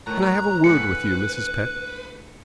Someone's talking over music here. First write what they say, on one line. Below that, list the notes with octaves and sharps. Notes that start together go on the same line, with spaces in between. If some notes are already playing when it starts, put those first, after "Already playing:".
"Can I have a word with you, Mrs. Pett?"
A2 D#3 C#5 A#5 F#6
A2 D3 G#3 B4 F#6 C#7